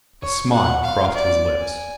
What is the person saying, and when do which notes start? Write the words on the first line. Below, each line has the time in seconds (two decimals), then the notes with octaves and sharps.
A smile crossed his lips.
0.22 C#5
0.53 F#5
0.83 F5
1.14 D5
1.60 G#5